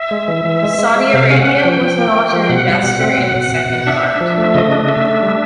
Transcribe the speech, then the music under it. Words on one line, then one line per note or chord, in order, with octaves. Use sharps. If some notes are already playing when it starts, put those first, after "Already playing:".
Saudi Arabia was not an investor in the second fund.
Already playing: E5
G#3
E3
E3
G#3
G#3
G#3
C3 F5
C#4
F#5
C#4
G5
F3
F3
A#3
A#3
F3
B2 F#5
G3
B2
C4
B2
B2
B2
B2
D4 E5
D4
F3
A3
C#3 D#5
D4
A3 E5
D4
G3